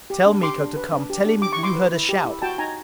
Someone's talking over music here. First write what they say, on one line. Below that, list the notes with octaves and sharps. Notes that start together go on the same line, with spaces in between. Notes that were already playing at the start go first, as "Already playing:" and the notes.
Tell Miko to come--tell him you heard a shout.
G4
D4
G4 C6 D6
D4
B4
D4
G4
D4
G4 D6
C#6
E4 C6 D6
B4
E4
G4
E4
F#4 G5 A5
D#4 G#5 A#5